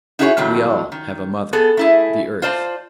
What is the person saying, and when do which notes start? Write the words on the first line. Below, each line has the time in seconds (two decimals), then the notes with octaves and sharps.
We all have a mother,--the earth.
0.19 D#4 E4 F#4 G#4 A4 C#5
0.37 F2 A2 D#3 F#3
0.92 D#3
1.53 B3 G#4 A4
1.77 A3 E4 G#4
2.42 F4 C5 D5 A5